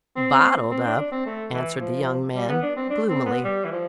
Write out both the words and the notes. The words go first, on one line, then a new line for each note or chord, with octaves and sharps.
"Bottled up," answered the young man gloomily.
C4
C4
D4
D4
C4
A3
E3
F3
G3
B3
D4
C4
D4
C4
B3
G3
E3
F3